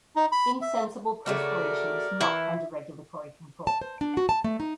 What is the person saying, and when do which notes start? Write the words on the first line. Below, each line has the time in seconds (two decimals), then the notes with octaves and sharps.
Insensible perspiration is not under regulatory control.
0.16 D#4
0.32 B5
0.62 E5
1.26 C#3 A3 F#4 A#4 D5
2.21 E3 E4
3.67 A5
3.81 C5
4.01 D4
4.17 F#4
4.29 A5
4.44 A3
4.60 D#4